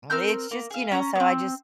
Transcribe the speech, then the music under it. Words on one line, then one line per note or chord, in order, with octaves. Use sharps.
It's just, you know, so I just
C4 A#4 F6 G6
A#3
G#4 F5
C#4 A#5
B3 C4